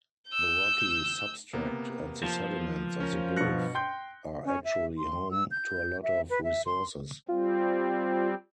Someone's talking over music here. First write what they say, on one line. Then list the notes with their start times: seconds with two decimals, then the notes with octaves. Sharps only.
The rocky substract and the sediments of the gulf are actually home to a lot of resources.
0.29 E6 G6
1.53 C3 A#3 B3
2.23 F3
3.00 C#4 A#4
3.36 G2 B2 F#6 A#6 C#7
3.75 G5 C6 G6
4.45 C#4
4.64 E5
4.98 C6
5.31 E6
5.51 G6
6.03 E5
6.30 B4
6.44 E5
6.66 C6
7.28 G3 C4 F4